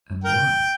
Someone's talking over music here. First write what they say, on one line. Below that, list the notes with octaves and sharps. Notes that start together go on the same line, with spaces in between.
And why?
A#4 G5